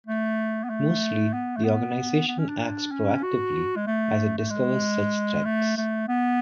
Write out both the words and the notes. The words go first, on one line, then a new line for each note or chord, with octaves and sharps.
Mostly, the organization acts proactively as it discovers such threats.
A3
B3
A3
B3
A3
B3
B3
C#4
D4
C#4
F#4
G#3
A3
A3
G#3
A3
A3
B3